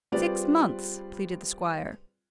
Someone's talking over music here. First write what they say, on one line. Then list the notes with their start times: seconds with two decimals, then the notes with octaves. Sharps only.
"Six months," pleaded the squire.
0.12 G3 C4 F4 G#4 B4 D5